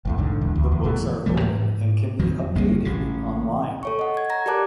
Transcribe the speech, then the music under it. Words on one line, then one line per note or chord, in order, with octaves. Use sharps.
The books are open and can be updated online.
A1 E2 A2
A#1 G#2 D3
D#1 E2
D2
E2
G1 B2 E3 A3
D1 E3 F3 A3
G#2
F2 D#3 F3 F#3
G1 G2 D3 A#3
A1 C#3
A4 C#5 C#6
D#5 F#5
G#6
A#5 G#6 A#6
G4 A#4 D5 A5 D6 F#6